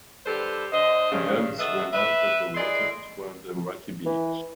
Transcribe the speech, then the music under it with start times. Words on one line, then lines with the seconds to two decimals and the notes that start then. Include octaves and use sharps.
Dogs run out of the water toward a rocky beach.
0.26 D3 G3 G4 A4 B4 C5
0.73 D3 C5 D#5
1.12 G2 C#3
1.59 D4 F#4 A4 B4 D#5 E5
1.93 B4 E5
2.55 E3 G#4 D5 D#5 C6
4.06 E3